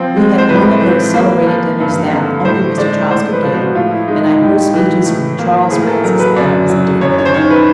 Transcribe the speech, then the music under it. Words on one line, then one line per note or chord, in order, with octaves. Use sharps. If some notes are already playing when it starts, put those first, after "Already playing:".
We had one of those celebrated dinners that only Mr. Childs could give, and I heard speeches from Charles Francis Adams and different people.
Already playing: F3 C4
G#3
C5
A2 B4
E3
A#3
F3
G2
D3
A2 C5
G#3 D5
A2 C5
B4
F3
F#4
A2 F4
E4
G#3 D#4
D#4
A2 G4
E3
A2
A#3
A2 G#4
A#4
A4
F#3 A#4
B4
F#2 D5
F#3
F#2 C#5
C#5
C5
D#3 C#5
B4